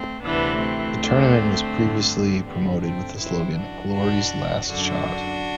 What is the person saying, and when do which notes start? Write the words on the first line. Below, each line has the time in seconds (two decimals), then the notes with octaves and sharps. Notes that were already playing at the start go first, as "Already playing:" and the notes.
The tournament was previously promoted with the slogan "Glory's Last Shot".
Already playing: A3 C4
0.23 D2 C3 E3 B3 D4
0.60 A3 C4
0.97 D2 D3
1.72 G2 D3
2.45 G2 D3 G3 B3
2.81 A3 C4
3.18 F#2 E3 C4 E4
3.55 D4 F#4
3.93 E2 B2 D4 F#4
4.66 F#2 D3 D4 F#4